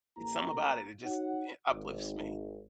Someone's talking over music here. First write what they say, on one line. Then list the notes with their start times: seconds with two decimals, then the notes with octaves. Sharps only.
It's something about it, it just, eh, uplifts me.
0.17 A1 A#3 E4 A#5
1.04 D#4 F#4 C#5 F#5
1.70 G#1